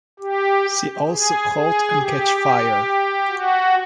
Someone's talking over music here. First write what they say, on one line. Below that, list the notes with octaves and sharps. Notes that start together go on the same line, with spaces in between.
See also "Halt and Catch Fire".
G4
G#4
G#4
G4
F#4